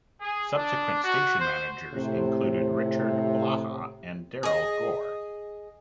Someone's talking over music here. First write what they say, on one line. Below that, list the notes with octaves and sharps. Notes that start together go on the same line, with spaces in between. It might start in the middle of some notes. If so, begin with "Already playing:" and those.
Subsequent station managers included Richard Blaha and Darrell Gorr.
G#4
D4
F#4
C5
A2 C3
G#4 D#5